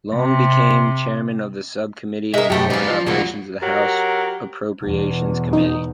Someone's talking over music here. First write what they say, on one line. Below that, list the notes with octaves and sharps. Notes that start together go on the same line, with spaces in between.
Long became Chairman of the subcommittee on Foreign Operations of the House Appropriations Committee.
C3
G#3 A#4 E5
F#2 B2 A3 G4
G4 B4 D5 F5 G#5
F3 F4
E2 F#3 G3 A#3 F4 F#4
F#3 G4 A#4
E2 B2
D#4